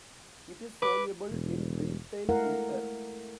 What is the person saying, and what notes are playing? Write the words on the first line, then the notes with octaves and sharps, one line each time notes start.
It is soluble in diethyl ether.
B4 D6
E1
G#3 A3 E4 A#4 F5 F#5